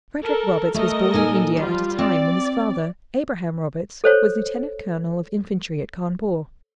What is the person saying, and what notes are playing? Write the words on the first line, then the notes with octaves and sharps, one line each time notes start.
Frederick Roberts was born in India at a time when his father, Abraham Roberts, was lieutenant colonel of infantry at Cawnpore.
A4 A#4
A3 A4 A#4 D#5
A#2 D#4 G#5
F3 G3 F4
C4 D5
A4 C5 C#5